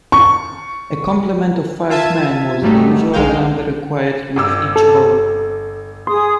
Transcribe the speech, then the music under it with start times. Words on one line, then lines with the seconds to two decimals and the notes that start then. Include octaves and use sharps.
A complement of five men was the usual number required with each boat.
0.12 C#6
1.90 F4 E5 A5 G#6 D#7
2.62 G#2 F#3 G3 A3 D#4
3.14 B1 G#3 D#4 F5 G5
4.36 G1 D6 E6
4.76 A4
6.07 G#4 C6 D#6